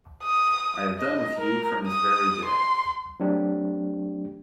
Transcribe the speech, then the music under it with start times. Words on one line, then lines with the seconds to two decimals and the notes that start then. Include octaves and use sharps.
I have done with you from this very day.
0.23 D#6
0.99 D#5
1.37 A#4
1.88 D#6
2.46 C6
3.20 F#3 A3 C4 D4 G4